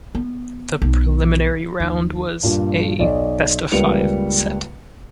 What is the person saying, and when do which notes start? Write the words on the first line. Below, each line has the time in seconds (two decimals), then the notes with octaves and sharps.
The Preliminary Round was a best-of-five set.
0.15 B3
0.82 B1
1.80 D#2
2.43 G2 A#2
2.99 B1 D5 D#5
3.72 C#2 G3 A#3 B4 C#7 F7